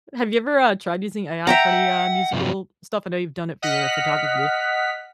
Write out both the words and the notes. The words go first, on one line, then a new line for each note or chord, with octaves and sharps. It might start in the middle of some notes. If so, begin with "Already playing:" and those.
have you ever, uh, tried using AI for any, uh, musical stuff? I know you've done it for your photography.
E5 F#5 G5 A#5
G2 C3 F3
D#5 F#5 F6 B6